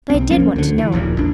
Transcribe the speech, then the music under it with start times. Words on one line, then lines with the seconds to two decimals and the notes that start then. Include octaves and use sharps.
But I did want to know.
0.10 B1 C4
0.30 F1 F3 A#3 C#4
0.56 D2 D3
0.78 E3
0.92 D#1 A#1 D#2 A#2
1.18 A#1 F2 D4